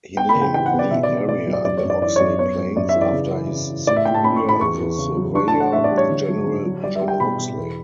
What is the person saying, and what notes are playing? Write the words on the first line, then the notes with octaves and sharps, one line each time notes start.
He named the area the Oxley Plains after his superior the surveyor-general, John Oxley.
B3 G5
B5
C#3
G5
E3 G5
F#5
B3
D5
B2 E5
D5
B2
B2 D5
F#3
D5
F#2 D5
C#5
F#2
D5
E3 D5
C#5
F#2 D5
B3 C#5
F#2
F#2 D5
E5
E3
D5
C#3
E3
C#3
E3
A2 D5
E5
A2 G5
A5
C#4 B5
C#6
A2
B5
E2 C#6
E2
C#3
F#3
D4 C#6
A5
D4
F#5
A2 E5
D5
G3
C#5
D3
F#3
D3
F#3
G3 D5
E5
G3
G5
B2 B5
B2
E2